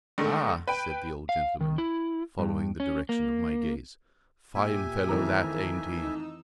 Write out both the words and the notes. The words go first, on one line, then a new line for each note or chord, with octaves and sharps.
"Ah!" said the old gentleman, following the direction of my gaze, "fine fellow that, ain't he?"
D3 D#3 G#3 A3
B4 G5
F5
D#3
E4
G2
C#4
A#3
A#2 G4 E5 G#5 D#7
F2 D#3 E3 A3 C4 E4 A#5
D#4 E6